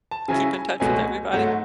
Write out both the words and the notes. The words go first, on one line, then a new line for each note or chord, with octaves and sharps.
Keep in touch with everybody.
A5
C#3 F#3 C#4 E4 G#5
G#5
C#2 B2 F#3 A3 C#4 G#5
G#2 F#3 A3 F#5